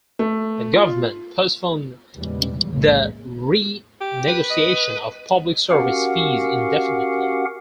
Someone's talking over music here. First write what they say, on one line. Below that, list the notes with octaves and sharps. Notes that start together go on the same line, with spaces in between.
The government postponed the renegotiation of public service fees indefinitely.
A3
F4
E2 A#2 C#3 E3 G3 G#3
B1 E2 A2 C#3 G#3 A#3
G4
B4
D#5
C#4 F#4 G4 A#4 F5 F#5